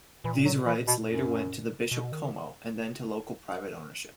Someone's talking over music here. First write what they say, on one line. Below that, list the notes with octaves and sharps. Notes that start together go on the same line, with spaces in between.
These rights later went to the Bishop Como and then to local private ownership.
A#2 E3
F#3
E3
B2
F#2
B2
D#3